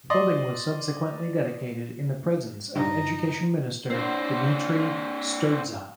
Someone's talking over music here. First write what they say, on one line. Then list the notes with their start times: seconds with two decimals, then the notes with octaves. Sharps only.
The building was subsequently dedicated in the presence of Education Minister Dimitrie Sturdza.
0.10 D5 D#5 C6 D#6
2.76 G2 D#4
3.90 C4 D4